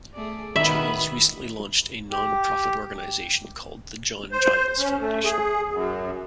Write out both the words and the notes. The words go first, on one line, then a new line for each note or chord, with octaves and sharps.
Giles recently launched a non-profit organisation called the "John Giles Foundation".
A3 G#4 D5
D#3 F#4 B4 E5 B5
G4
C5
C#4
A3
G#4
F#2